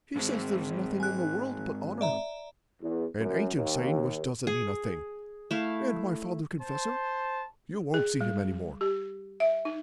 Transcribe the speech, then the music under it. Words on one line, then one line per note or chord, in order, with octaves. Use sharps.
She says there's nothing in the world but honour' 'An ancient saying which doesn't mean a thing.' 'And my father confessor?' 'You won't see him any more.
G#2 G#3 C4
G#5 F#6
D5 E5 A#5
E2
F#2
D#2
G#4
A3 E4 F5
C5 A5
G#4
G3
G4
E5
D#4